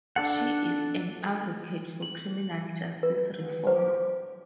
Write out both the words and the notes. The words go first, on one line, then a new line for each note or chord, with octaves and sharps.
She is an advocate for criminal justice reform.
D4 A4 F#5
F#7
B4
C5